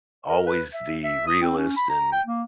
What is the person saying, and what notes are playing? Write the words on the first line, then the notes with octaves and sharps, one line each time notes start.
always the realist and
A#4
B4
E5
E5
D#6
C4
C#4
B5
A#5
G5
A#3